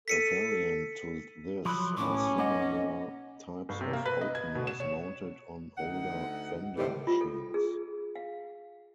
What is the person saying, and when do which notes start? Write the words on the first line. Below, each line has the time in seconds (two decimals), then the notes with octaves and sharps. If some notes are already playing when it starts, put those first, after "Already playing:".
A variant to this are similar types of openers mounted on older vending machines.
0.08 A4 B6 C#7 D#7
1.65 F3 F#3 B5
1.97 B1 A2 C#4 D6
2.38 A#3 D#5 F#5
3.69 G1
3.81 C3
3.93 A#3
4.05 B4
4.21 D#5
4.35 G#6
4.55 B2
4.67 E7
4.80 C#5
5.77 D2 D#4 F#5
6.76 A2 C3 D#3 E3 G3
7.07 F4
7.21 A4
7.54 G#4
8.15 F5